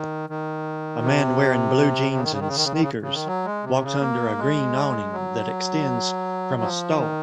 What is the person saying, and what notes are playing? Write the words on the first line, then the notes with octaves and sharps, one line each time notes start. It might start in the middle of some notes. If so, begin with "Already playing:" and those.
A man wearing blue jeans and sneakers walks under a green awning that extends from a store.
Already playing: D#3
D#3
C3
C#3
D#3
C#3
D#3
C#3
D#3
C#3
D#3
C#3
C#3
D#3
F#3
G#3
C3
C#3
A#3
G#3
F#3
F3
D#3